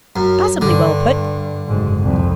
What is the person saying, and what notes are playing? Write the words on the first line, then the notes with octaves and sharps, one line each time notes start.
"Passably well put."
F#2
G2 D3
F#1 G#2
C2 F2